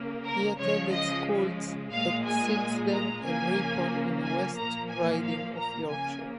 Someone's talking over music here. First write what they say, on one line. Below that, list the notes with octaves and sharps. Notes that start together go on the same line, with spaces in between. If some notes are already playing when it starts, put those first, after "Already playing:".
He attended schools at Silsden and Ripon in the West Riding of Yorkshire.
Already playing: C#3 A#3
A#4
C#3 F3 G#3 C#5
D#5
A#2 G#3 F5
G#5
A#5
C#3 F3 A#3 G#5
G#5
A#2 F3 A#3 A#5
G#5
F5
A#5
C#3 A#3 G#5